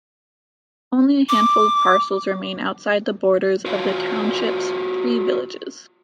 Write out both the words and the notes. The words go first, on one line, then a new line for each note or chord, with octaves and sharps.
Only a handful of parcels remain outside the borders of the township's three villages.
D6
F4 F#4 B4 C#5 F5